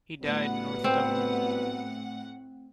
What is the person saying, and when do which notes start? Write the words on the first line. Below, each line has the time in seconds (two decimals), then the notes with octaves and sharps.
He died in north Dublin.
0.22 A2 F#3 G3 B3 F#5
0.84 C4